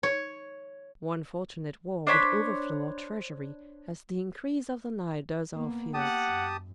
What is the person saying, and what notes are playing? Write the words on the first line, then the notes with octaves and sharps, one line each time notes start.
"One fortunate war would overflow our treasury as the increase of the Nile does our fields."
C#5
D4 C5 C#5 B5
A#3 B3
G4 F#5 A5 D#6
F#2